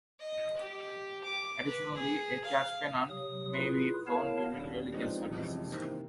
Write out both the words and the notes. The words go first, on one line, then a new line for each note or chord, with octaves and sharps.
Additionally, a Church pennant may be flown during religious services.
D#5
G4
D6
B4
G#4
F5
C3 F#3 D#6
E4 F4 G#4 B4
B3 E4 A#4 C#5 F5 A5
D#1 D4 G4
F3 G#3 B3 C4 D4 D#4
A1 F2 C3 G#3
C3 D#3 E3 A#3 C4